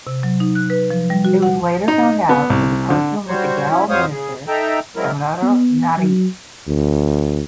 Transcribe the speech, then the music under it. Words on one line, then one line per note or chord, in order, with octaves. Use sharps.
It was later found out that the person was the Goa minister Damodar Naik.
C3
F#3
D#4
F#6
B4
F3
G3
F#4
F#5
D#4
B3
C2
D3
G3 F#4 C5 C#5
F#3 C#4 E4
F2 F#3 C5 C#5 F5 D#6
C#3 G#4
D#4 A4 E5 G5 A#5
F#3 G#3 C4 E4 A#4
B3
F#3
D2